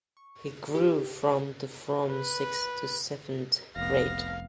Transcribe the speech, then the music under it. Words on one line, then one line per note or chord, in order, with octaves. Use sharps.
He grew from to from sixth to seventh grade.
C#6
G4
B4
F1 C2 F2 B3 F5 A#6